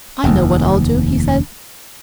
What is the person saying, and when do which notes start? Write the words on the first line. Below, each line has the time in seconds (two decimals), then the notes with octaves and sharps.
"I know what I'll do," he said.
0.24 F1 D#2